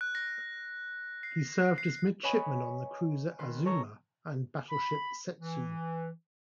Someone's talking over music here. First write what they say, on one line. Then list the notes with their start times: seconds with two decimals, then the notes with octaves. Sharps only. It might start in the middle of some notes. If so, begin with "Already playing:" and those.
He served as midshipman on the cruiser "Azuma" and battleship "Settsu".
0.01 F#6
0.15 A#6
1.23 C7
1.78 C7
2.23 B4 C#5 D#5 G#5 B5
3.39 D#3 B4 C6
3.65 A4 C#5 A#5 C#6
4.70 B5
5.39 E3